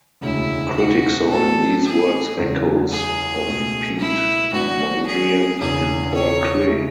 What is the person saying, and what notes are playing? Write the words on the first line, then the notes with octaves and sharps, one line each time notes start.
A critic saw in these works echoes of Piet Mondrian and Paul Klee.
E1 D2 C#3 G#3 E4
F#4
A1 A2 F#3 A4
G#4
F#1 E2 C#3 G#3
G#4
C#2 B2 A3
E4
G#1 G#2 F#3 B3 D4 F#4
G#4
E1 E2 C#3 G#4
C#5
C#3 G#3 C#4 E4